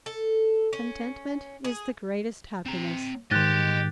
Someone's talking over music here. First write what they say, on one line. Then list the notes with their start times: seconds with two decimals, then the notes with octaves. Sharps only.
"Contentment is the greatest happiness."
0.06 A4
0.73 C#4
1.65 G#4
2.66 C4 A#5
3.31 G#2 D#3 G4 D#5 C6 F#6 A6